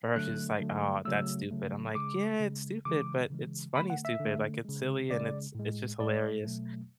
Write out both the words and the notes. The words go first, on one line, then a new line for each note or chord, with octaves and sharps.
for her she's just like, "Oh, that's stupid." I'm like, "Yeah, it's stupid, but it's funny stupid, like, it's silly and it's it's just hilarious."
D3 F#3 A3 F#6
D3 F#3 A3
C#3 F#3 A3 E6
C#3 F#3 A3
C#3 G#3 D6
C#3 G#3
C#3 E3 G#3 D6
C#3 E3 G#3
D3 A3 B5
F#5
E5
D3 A3
C#3 G#3
C#3 G#3 D5
A2 G#3
A2 G#3 D5
B2 F#3 A3